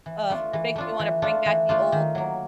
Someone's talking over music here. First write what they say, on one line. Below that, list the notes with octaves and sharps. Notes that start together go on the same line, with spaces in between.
Uh, it makes me wanna bring back the old
E3
A3 D4 F4
E3
A3 D4 F4
E3
A3 D4 F4
E3
A3 D4 F4
D#3
F#3 A#3